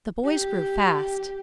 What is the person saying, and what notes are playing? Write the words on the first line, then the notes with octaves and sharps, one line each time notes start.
The boys grew fast.
G4